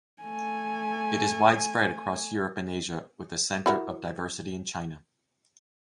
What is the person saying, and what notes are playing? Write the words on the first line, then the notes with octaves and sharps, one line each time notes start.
It is widespread across Europe and Asia, with a center of diversity in China.
A3 G#5
E4 F#4 A#4